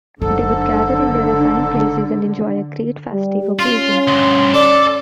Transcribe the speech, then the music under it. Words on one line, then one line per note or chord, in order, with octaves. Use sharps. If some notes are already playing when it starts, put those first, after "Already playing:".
They would gather in their assigned places and enjoy a great festive occasion.
F#1 G#2 D3 F#3 A4
G3
C#4 F4 C6
D2 G2
A4 D5 D6